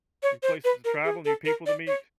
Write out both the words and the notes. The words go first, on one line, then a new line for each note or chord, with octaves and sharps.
new places to travel, new people to meet.
C#5
C5
B4
A#4
G#4
A4
A#4
D5
C#5